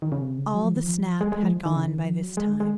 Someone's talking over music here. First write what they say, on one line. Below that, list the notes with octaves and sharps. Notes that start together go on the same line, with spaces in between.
All the snap had gone by this time.
D#3
C#3
C3
C#3
F#3
F3
D#3
F3
G#3
G#3
F3
D#3
C#3
D#3
F3
F#3
G#3
G#3